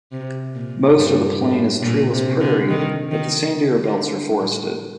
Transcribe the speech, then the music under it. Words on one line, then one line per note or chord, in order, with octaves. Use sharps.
Most of the plain is treeless prairie, but the sandier belts are forested.
C3
A#2
G2
A2
A#2
C3
D3
D#3
D#3
D3
A2